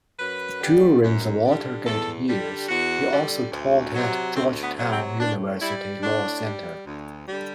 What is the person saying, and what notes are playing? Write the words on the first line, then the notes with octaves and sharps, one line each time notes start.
During the Watergate years, he also taught at Georgetown University Law Center.
F#2 B4
D3 G3
F#2
D3 G3
E2 A4
D3 G3
E2 F#4
D3 G3
D2
C3 F#3
D2 C4
B3
C3 F#3
C4
A2 D4
G3 E4
A2 D4
G3
D2
D3 G3